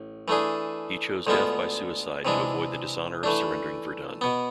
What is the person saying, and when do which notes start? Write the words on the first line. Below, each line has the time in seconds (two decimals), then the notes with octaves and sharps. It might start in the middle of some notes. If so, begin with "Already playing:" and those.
He chose death by suicide to avoid the dishonor of surrendering Verdun.
Already playing: A1
0.28 E3 A3 D4 G#4
1.27 D2 D3 G#3 B3 F4
2.25 C3 E3 G#3 D4
3.23 E3 A3 D4
4.21 B2 B3